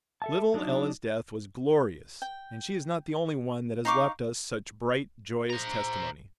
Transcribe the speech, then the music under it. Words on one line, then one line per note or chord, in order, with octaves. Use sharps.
Little Ella's death was glorious and she is not the only one that has left us such bright, joyous testimony.
A4 E5 A5
F#3 D4 D#4
G5
D#4 F5 C#6 D6
C5 A#5